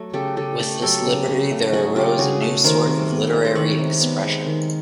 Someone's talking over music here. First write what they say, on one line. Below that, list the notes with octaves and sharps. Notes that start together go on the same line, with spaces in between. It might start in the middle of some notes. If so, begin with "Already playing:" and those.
With this liberty there arose a new sort of literary expression.
Already playing: F#3 A3
C#3 G4 A4
C#3 G4 A4
A3 G4 A4
F#3 G4 A4
C#3
C#3
A3
F#3 F#4 G#4
C#3 F4 G4
C#3 F#4 G#4
A3
D#3 A#4 C5
C3
B3
G#3
C5
D#3 B4 C#5
C3
B3
G#3
D#3